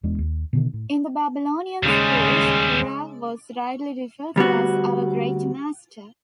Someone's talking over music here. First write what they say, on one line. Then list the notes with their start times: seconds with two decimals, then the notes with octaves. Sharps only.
In the Babylonian schools, Rav was rightly referred to as our great master.
0.03 E1 E2 G#3 D4
0.19 D#2
0.53 B2 D3 D#3
0.73 A2
1.83 D#2 C#3 G3 G#3
4.36 D2 G3 B3 F#4